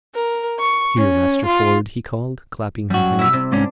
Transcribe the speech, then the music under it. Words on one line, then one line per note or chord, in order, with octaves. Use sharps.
"Here, Master Ford," he called, clapping his hands.
A#4
C#6
C#4
F4
F#2 G3 F#4
E4 E5
C3
G#2 C#4 D4 D5